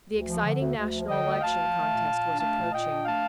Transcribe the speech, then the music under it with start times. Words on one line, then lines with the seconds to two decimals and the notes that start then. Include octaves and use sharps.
The exciting national election contest was approaching.
0.10 D2
0.27 F3
0.43 D3
0.59 D2
0.75 D2
0.92 F3
1.08 D3 D#5 G5
1.25 D2
1.41 D2 F5 A5
1.57 F3
1.74 A3
1.91 A#2
2.07 A#2
2.24 D4
2.40 A3 F5 A5
2.56 A#2
2.72 A#2 D#5 G5
2.88 D4
3.05 A3 F5 A5